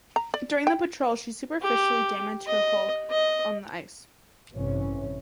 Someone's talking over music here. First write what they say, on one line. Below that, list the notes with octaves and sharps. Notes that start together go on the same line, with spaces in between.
During the patrol she superficially damaged her hull on the ice.
A#5
D5
G5
G4
D#5
D#5
A1 G2 C3 E3 C#4